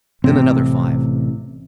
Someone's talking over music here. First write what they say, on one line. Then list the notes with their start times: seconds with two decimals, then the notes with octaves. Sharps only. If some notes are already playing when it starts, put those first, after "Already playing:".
Then another five.
0.24 A1 C3 C4